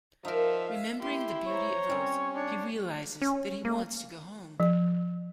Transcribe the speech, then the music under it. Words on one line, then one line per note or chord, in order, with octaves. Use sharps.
Remembering the beauty of Earth, he realizes that he wants to go home.
F3 D#4 A#4 E5 F5
E4 G4 C6
C5 C#5 A#5
G3 C4 C#4
D4 C#5
C#4
A#3
F3